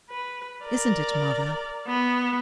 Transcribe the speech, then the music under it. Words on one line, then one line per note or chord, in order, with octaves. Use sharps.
Isn't it, mother?'
B4
A#4 D5
B3